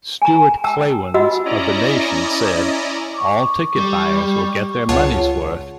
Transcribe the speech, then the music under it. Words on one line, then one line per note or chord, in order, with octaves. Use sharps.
Stuart Klawans of The Nation said, All ticket buyers will get their money's worth.
G#5 A#5
G5 A5 A#5 E6
F4 F#4 D#5 F#5 E6
C#4 E4 D5 D#5 A#5
C#6 D6
G3
C#2 F4 C#5 F#5 A5